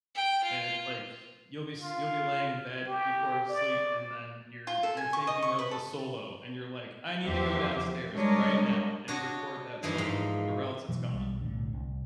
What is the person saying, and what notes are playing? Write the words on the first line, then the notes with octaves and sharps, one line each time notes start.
And it's like, you'll be s you'll be laying in bed before sleep, and then you're you're thinking of the solo and you're like, "I need to go downstairs right now and record that solo or else it's gone."
G5
F4
F4
G4
D5
F4
A4
G#5
C#6
D#5
C#6
B4
A4
E2 F3 G4 C5 E5
G3 G#3 D4 A#4 C#5 D#5
D4 F#4 C#5 D#5
G2 E3 F3 A#3 D#4
G#2
B2 E3 F#3
B1 G3
B1 A2 D3
C2